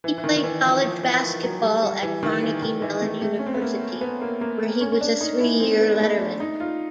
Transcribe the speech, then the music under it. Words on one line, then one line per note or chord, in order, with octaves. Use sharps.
He played college basketball at Carnegie Mellon University, where he was a three-year letterman.
E3
E3
D#3
D#3
E3
F3
F3
E3
F3
F#3
G3
G3
E3
D#3
E3
D#3
E3
A3
A3
C#4
C4
B3
A#3
B3
A#3
A#3
C#4
C#4
D4
D#4
E4
C4
B3
A3
D4
D#4
F4